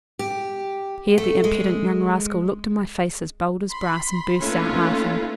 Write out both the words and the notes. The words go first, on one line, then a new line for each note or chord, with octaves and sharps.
Here the impudent young rascal looked in my face as bold as brass and burst out laughing.
G4
A3
G#3
B5 C6
A3 A#3 C#4 D#4 F4 B4